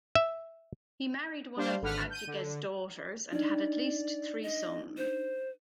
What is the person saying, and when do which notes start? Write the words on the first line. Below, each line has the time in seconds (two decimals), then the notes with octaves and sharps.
He married one of Ajige's daughters and had at least three sons.
0.15 E5
1.56 G3 D4 C5 F5
1.82 G#1 D3 B4 F#5 F6 B6
2.10 G6 D#7
2.27 D3
3.33 D4 D#4 D5
4.43 D#5
4.98 C5